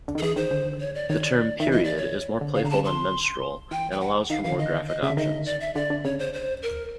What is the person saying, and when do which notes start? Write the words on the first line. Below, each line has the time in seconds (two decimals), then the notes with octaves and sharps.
The term "period" is more playful than "menstrual," and allows for more graphic options.
0.08 D3
0.15 D#3
0.18 A4
0.22 E3 G#4
0.36 D#3 C5
0.51 D3
0.80 C#5
0.95 D5
1.09 D#3 C#5
1.23 D5
1.59 D#3 E5
1.68 E3 D#5
1.84 D5
1.97 C#5
2.41 D3
2.55 C#3 F5
2.64 D3 A#5
2.70 C#3 A5
2.85 C6
3.71 E3 G5
3.92 G5
4.00 F#5
4.30 D#3 F5
4.44 E3 F5
4.52 D3
4.59 D#3 D#5
4.88 D#5
5.02 C#3 E5
5.10 D3
5.17 D#3 D#5
5.46 D5
5.61 E5
5.75 D3 D5
5.90 D3
6.04 C#3 C#5
6.19 C5
6.34 C5
6.62 A#4